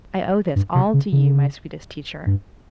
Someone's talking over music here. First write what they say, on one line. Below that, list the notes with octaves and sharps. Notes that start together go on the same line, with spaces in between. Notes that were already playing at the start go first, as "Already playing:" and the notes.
I owe this all to you, my sweetest teacher.
G2
C3
C#3
C#3
G2